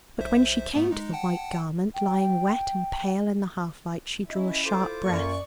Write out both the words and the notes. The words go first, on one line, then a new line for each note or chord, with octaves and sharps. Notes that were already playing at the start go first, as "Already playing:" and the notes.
But when she came to the white garment lying wet and pale in the half-light she drew a sharp breath.
B1 C5 E5
G#2 A3 B3
G#3 D#4
F#5 G5 A5
G5
C#4 E4 D#5
F4 A4 C5 D6
F#2 A#3 F4 D5 C#6